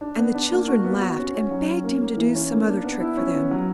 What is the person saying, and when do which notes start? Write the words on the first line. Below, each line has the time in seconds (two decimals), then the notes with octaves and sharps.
And the children laughed, and begged him to do some other trick for them.
0.01 D4
0.18 B3
0.35 D4
0.52 A#3
0.68 F#4
0.84 B3
1.01 F#4
1.18 C#4
1.35 C#4
1.51 F#3
1.68 C#4
1.84 A#3
2.01 A#3
2.17 E3
2.35 C#4
2.50 A#3
2.68 D4
2.84 B3
3.00 E4
3.17 C#4
3.34 B3
3.51 F#3